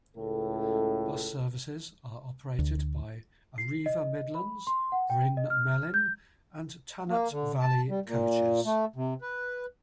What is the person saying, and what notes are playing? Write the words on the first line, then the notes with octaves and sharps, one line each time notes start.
Bus services are operated by Arriva Midlands, Bryn Melyn and Tanat Valley Coaches.
C#2 A2 A4
D2
C7
D#5
B5
C6
F#5
G5
D#5
F6
G6
A#3
D3
A5
G3
A#2
A3
C3
B4